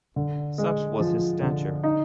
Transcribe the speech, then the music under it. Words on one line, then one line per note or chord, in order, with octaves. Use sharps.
Such was his stature.
D3
G#3
F3
D3
D#4